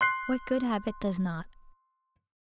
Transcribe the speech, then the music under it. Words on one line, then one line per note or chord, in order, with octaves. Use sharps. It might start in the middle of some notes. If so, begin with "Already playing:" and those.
What good habit does not?
C6 F#6 C7